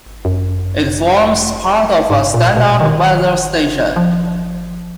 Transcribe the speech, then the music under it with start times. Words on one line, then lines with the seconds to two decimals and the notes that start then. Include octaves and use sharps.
It forms part of a standard weather station.
0.25 F#2
2.10 G#2
2.34 A#2
2.57 B2
2.80 D#3
3.96 F3